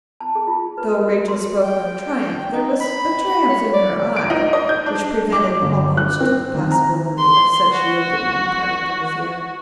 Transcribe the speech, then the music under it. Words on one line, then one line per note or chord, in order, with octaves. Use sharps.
Though Rachel spoke no triumph, there was a triumph in her eye, which prevented almost the possibility of such yielding on the part of Dorothea.
A5
G#4
F4
B4
A#4
F#4
C6
G5
D#4
B5
C#5
D5
D7
D#4
D#5
G6
D4
D6
G1
F#6
C4
D#3
A#5
C6
F#4